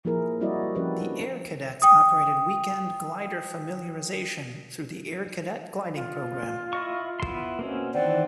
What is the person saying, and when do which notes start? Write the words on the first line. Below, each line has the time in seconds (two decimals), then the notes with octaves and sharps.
The Air Cadets operated weekend glider familiarization through the Air Cadet Gliding Program.
0.05 F3 A#3 E4 G#4 A#4
0.40 G3 C4 E4 F#4 D5 D#5
0.75 F3 C#4 G4 B4 D5
1.01 D4
1.82 G5 D#6
5.95 F4
6.73 E4 D#5 C#6
7.20 B3 E4 C6
7.59 B2 A#3 C4 C#4
7.94 D#3 E3 C4 D5 F#5